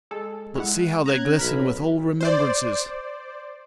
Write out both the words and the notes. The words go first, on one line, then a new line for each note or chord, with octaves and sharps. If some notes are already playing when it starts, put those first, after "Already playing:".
But see how they glisten with old remembrances!
G#3 A4
G#3 E4 F#5
C#4 A#5 F#6 G#6
B1 A#4 B5
C5 D5